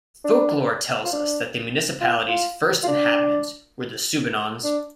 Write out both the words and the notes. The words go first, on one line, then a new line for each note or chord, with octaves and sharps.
Folklore tell us that the municipality's first inhabitants were the Subanons.
D4
F4
D4
F4
F4
F4
D4
D4